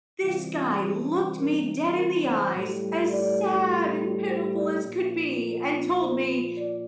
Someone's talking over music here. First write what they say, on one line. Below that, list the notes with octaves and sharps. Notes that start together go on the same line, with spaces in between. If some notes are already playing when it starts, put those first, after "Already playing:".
this guy looked me dead in the eyes, as sad and pitiful as could be and told me,
C3 E3 G3 F4
F4
G4
A#4
A#4
C5
A2 G3
D5
C5
D5
A#2 F3
A#4
C5
D5